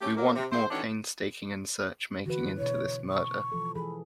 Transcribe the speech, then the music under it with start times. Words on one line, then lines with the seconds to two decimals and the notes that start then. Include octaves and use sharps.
We want more painstaking and search-making into this murder.
0.02 A3 C#4 G4
0.16 F#3 A#3
0.36 C3
0.52 D#4 E4 G#4 C5
0.70 D#3 E3 A3 C#4 D4 F#4
2.26 D3 E3 F#4 B4
2.58 B2 E4 C#5
3.09 C#6
3.52 E3 F3 A4
3.75 E3 G#4 A4 B5